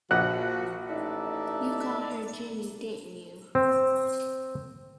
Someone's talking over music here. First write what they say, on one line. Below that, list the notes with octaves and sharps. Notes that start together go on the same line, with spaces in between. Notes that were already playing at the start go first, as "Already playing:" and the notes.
You called her Jenny, didn't you?
A#1 F3 A#3 F#4 F#5 F#6
A1 D#4 A4 D5 E5
C4